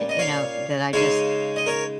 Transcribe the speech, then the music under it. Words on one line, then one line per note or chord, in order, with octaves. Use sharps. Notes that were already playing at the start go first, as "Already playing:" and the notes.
you know, that I just
Already playing: A#2 G3 C#4
D#5
C#5 F5
C#3 G#3 D#4 C#5 F5
D#5
A#4 C#5